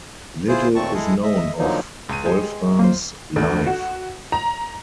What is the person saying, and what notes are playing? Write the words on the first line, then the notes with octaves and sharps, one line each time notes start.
Little is known of Wolfram's life.
E4 F4 G#4 C5
D#2 A#2 A3 C4 A5 C#6
G#3 E4 G#4 A4
D#5 E5
D3 F3 F#3 A#3 D#4
C#2 C#4 D#7
G#3 G4 G#4
A#3 F4 C5
D2
F#4
A#5